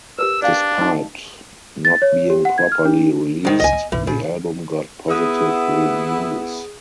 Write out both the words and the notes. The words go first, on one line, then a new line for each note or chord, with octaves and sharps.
Despite not being properly released, the album got positive reviews.
G4 A#4 B4 E6
D4 D5 F5 G5
D#4 D#5
A6
C#5
G4
F#5
G#6
F6
D4
C2 D#3
C#2 A#3 D#5 G#5
B3
B1 G2 E3
A#1 A#2 C#3
B3 E4 G#4 D#6